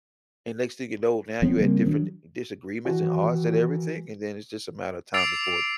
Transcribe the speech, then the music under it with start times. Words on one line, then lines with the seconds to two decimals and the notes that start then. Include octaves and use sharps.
and next thing you know, now you had different disagreements and odds and everything, and then it's just a matter of time before the
1.42 F3 F#3 B3 C4
1.60 C#3 G3 A#3 C4
1.86 D#3 F#3 D4
2.85 D#3 E3 F#4
5.14 D6 E6 A6 C7 D7 F7